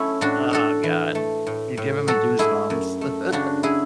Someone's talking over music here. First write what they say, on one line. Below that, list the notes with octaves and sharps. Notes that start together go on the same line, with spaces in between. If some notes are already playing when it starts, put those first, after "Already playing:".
Oh God. Uh, you're giving me goosebumps.
Already playing: F#3 A3 C#4 E4
A2 D4 F#4
A2 F#4 A4
E3
A3
A2
A2
F#3 F#4 A4
A3 E4 G#4
F#2
A3
C#3 D4 F#4
F#3 E4 G#4